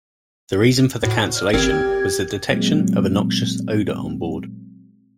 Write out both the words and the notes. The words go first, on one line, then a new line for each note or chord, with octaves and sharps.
The reason for the cancellation was the detection of a noxious odor on board.
A2 F#4 A4 C5
C#5 D5 F6
G#1 C4 G4 A#4 G#6
A#2 F#3 G#3 C4